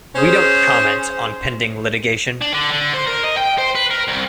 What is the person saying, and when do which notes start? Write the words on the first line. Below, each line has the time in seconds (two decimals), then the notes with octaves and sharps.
We don’t comment on pending litigation.
0.16 C#4 G#4 C5
2.41 D4
2.54 D3
2.71 D3
2.93 C5
3.07 A#4
3.23 D#5
3.37 G5
3.58 C5
3.75 B4
3.90 A#4
4.08 C2